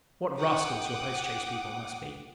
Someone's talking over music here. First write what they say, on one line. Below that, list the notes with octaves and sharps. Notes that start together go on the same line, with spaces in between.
What rascals your post-chaise people must be!
F#5 G5 D6 D#6